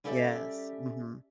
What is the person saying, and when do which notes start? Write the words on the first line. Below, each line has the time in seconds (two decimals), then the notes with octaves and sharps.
Yes, mhm.
0.04 G3 C#4 G4 A4 D5 E5